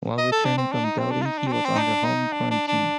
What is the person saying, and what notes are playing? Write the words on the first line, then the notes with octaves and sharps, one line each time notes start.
While returning from Delhi he was under home quarantine.
D#5
A4
D4
C4
D4
D#4
C4
D4
F4
D#4
D4
C4
D4
C4
D#4
D4
D#4
D4
D4
D4